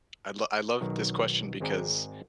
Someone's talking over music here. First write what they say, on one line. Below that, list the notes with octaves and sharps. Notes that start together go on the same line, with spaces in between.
I lo I love this question because
B1 D#3 F#3 A#5
G#1 G#3 C4 G#4 D5 A#5